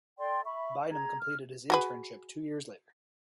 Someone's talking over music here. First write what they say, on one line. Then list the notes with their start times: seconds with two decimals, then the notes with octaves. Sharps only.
Bainum completed his internship two years later.
0.19 A4 D5 G5 C6
0.45 E5 B5 C#6
0.91 G#4 A#5 G#6
1.19 F6
1.70 F#4 G#4 B4